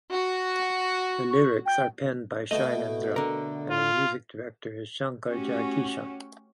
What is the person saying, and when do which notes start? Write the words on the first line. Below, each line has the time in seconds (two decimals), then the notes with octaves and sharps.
The lyrics are penned by Shailendra and the music director is Shankar Jaikishan.
0.11 F#4
1.31 C#6
1.66 G5
2.51 B2 A3 D#5
3.16 D3 A#4
3.70 F4
5.27 A3 C#4 F#4 G4